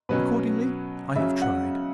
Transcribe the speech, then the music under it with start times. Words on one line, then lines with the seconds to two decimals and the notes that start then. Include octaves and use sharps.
Accordingly, I have tried.
0.09 B2 F#3 C#4 B4
1.16 C#3 F#3 C#4 E5
1.42 F#5